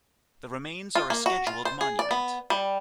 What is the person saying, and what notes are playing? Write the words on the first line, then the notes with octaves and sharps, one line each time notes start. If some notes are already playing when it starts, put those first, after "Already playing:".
The remains are a scheduled monument.
F4
A#3
F#4
F4
C5
G#4
D5
B3
G3